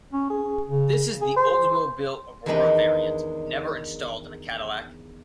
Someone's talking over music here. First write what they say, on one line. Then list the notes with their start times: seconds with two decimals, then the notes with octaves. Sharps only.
This is the Oldsmobile Aurora variant, never installed in a Cadillac.
0.13 C#4
0.30 G#4
0.68 C#3
1.22 G#4
1.37 C5
2.46 E2 D#3 G#3 D4 D#4 B4